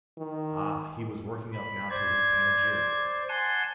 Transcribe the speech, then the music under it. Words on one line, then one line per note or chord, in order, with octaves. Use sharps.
Ah! he was working up now to his panegyric!
D#3
B5
C5 D5 G#6
F#5 G#5 A5 C6